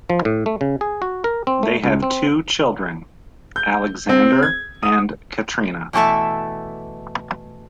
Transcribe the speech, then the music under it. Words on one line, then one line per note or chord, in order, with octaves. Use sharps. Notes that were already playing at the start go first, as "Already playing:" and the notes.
They have two children, Alexander and Katrina.
F3
A2
A3
C#3
G#4
F#4
A#4
C4
A3
C#2
C4
G6
C4
G#6
D#6
B2 E3 A3 A4 E5